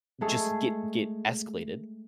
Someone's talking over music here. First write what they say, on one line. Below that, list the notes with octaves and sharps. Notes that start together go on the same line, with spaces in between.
just get get escalated,
G#3 A3 G#4